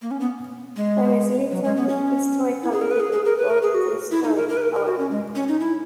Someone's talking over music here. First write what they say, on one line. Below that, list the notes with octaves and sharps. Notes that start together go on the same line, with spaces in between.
There is little historical evidence for this story, however.
A#3
C#4
B3
G#3
F#3
G#3
B3
C#4
E4
G#4
A#4
B4
G#4
G#4
A#4
B4
A#4
G#4
F#4
E4
D#4
A#4
A#4
B4
A#4
A#4
F#4
C#4
G#3
C#4
D#4
E4